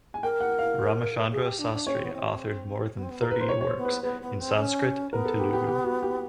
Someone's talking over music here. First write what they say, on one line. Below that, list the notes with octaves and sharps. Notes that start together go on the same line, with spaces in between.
Ramachandra Sastri authored more than thirty works in Sanskrit and Telugu.
G#5
A#4 G5
F#5
F5
G#4
G4
D4
D4
C#4 C#5
C4
B3
C4
B3
C4
B3
A#3 A#4
B4
C5
C#5
C#5
C5
B3
B4
B3 B4
B3
C4
C#4
B3 A#4
A4
G4
G4
G4
F#4
G4